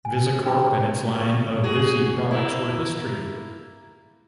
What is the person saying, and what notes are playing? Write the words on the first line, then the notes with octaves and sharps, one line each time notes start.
VisiCorp, and its line of "VisiProducts", were history.
G#5
D4 B4 G5 B5 C6 D6
A4 C#6
F#4 G#4
A#3 E4